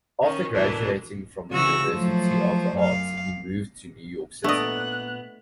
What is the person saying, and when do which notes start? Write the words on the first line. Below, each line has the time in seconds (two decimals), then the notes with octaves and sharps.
After graduating from the University of the Arts, he moved to New York City.
0.22 D#3 C#4
0.53 D2 B2 E3 D4 A#4
1.51 C#3 E3 F#4 E6 A#6
1.92 F3 F#3 A3 C5
2.77 F#2 F5
4.44 A#2 A3 B3 D4 D5 D#5 F#6